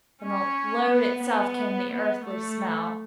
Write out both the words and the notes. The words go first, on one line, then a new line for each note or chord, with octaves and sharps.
From the load itself came the earthly smell.
C#4
B3
B3
B3
A3